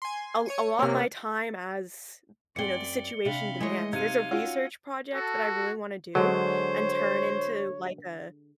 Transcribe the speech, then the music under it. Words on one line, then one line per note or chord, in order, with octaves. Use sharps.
al allot my time as, you know, the situation demands. There's a research project that I really wanna do and turn into, like, a
G#5 C6
C#5 C#7 D#7
C3 A#3 C#5 F6
F#2 C4 D5 C#7 G7
C3 D4 F5 B5
E3 G#3 A3 C#5 D#5
C3 D#4 F5 G#6 C#7 D#7
C#4 F4 F#4 E6
F#4 A4
D3 F#3 G#3 C5 C#5